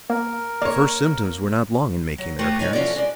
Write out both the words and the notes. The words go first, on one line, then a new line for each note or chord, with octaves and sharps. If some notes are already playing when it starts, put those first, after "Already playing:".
The first symptoms were not long in making their appearance.
A#3 A#4
A#3 C#5 D5
F#3
A3 F#4 G4 B4 C5
G#2 F3 D#4 C#5 G#5
E2 F3 C#4 F#4 A4 D5
G#3 D5